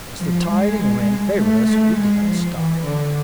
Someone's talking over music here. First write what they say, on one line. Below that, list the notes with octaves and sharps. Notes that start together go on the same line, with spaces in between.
As the tide and wind favored us, we did not stop.
F3
G#3
A3
A3
G#3
F3
E3
D3